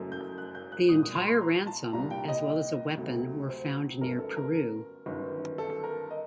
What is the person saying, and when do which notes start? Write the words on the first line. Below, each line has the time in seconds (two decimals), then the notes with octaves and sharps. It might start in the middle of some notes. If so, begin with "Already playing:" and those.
The entire ransom as well as a weapon were found near Peru.
Already playing: F#1 F#2 F#3 A3
0.12 G6
0.38 F#6
0.55 G6
0.72 F#6
0.89 A#1 A#2 G3 D#6
1.03 D#6
1.15 C6
1.28 C6
1.41 A#5
1.67 A5
1.93 C2 A#2 G3 A#5
2.11 G5
2.28 D#5
2.97 D2 C3 F#3 A3
3.49 C5
4.01 G1 F#2 F#3 A3 A#4
4.19 A4
4.37 A#4
5.06 G1 F#2 D#3
5.58 A4
5.84 A#4
6.11 D#5